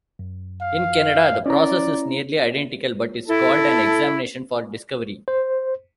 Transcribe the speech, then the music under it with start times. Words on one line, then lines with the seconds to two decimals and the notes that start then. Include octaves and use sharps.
In Canada, the process is nearly identical but is called an examination for discovery.
0.19 F#2
0.62 F5
1.46 C#4 E4 D5 A#5
3.28 E4 A4
5.28 C5